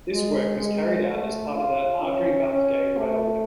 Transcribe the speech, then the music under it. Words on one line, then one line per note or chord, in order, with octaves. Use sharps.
This work was carried out as part of the Airdrie-Bathgate Rail Link.
G#3
G#3
A3
F4
C#4
C#4
A3